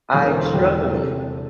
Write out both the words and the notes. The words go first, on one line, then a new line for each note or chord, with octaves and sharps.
I'm struggling."
E1 E2 D3
A#4
C5
A4
E1 E2 D3 G4
C3 A4